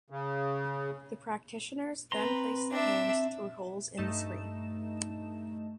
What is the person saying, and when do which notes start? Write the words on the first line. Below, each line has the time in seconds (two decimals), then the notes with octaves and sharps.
The practitioners then placed their hands through holes in the screen.
0.10 C#3
2.12 C4 B4 A#5 C6
2.71 D4 E5
3.97 G2 A3 D#4 D#5 A5 E7